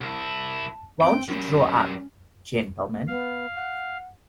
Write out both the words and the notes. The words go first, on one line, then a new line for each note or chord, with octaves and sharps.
Won't you draw up, gentlemen.
C2 E4 A5
C4 G5
F#2 G3 C#4
B3 F5
F#5